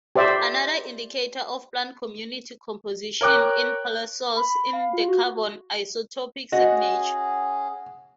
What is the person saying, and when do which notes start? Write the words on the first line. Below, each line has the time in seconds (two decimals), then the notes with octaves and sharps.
Another indicator of plant community composition in paleosols is the carbon isotopic signature.
0.15 G4 C5 D5 E5
3.21 A#4 C#5 G5 D6 F#6
4.36 B5
4.73 F5
4.93 F4
5.08 F#4
6.52 C#4 F#4 G#4 D#5 F#5